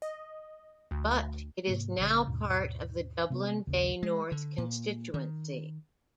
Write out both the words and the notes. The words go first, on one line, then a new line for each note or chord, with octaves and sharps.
But it is now part of the Dublin Bay North constituency.
D#5
D2
G#2 C3 A#3
A#1 C#3
D#2 G#2 B2
C3 A#3 B3
A#1 D#2 C#3
G#3
D3
A#2
D#3